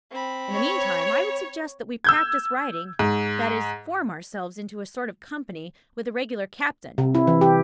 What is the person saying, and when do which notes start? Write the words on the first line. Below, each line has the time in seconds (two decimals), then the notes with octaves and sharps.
In the meantime, I would suggest that we practice riding--that is, form ourselves into a sort of company with a regular captain.
0.11 C4 B5
0.53 C#5
2.04 E6 G6 G#6
2.99 G#2
6.98 C3
7.15 E4
7.27 E3
7.41 G4